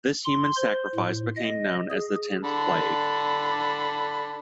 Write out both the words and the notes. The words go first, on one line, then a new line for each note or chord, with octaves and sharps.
This human sacrifice became known as the tenth plague.
C6
C5
A2
D#5
G#4
D3 A5 B5